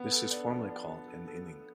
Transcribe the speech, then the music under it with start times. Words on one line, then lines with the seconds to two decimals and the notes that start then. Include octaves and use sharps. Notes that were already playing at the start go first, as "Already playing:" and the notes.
This is formally called an inning.
Already playing: B3
0.12 A4
0.31 D4
0.50 F3
0.69 D4
0.89 D4
1.08 A4
1.28 A4
1.46 A4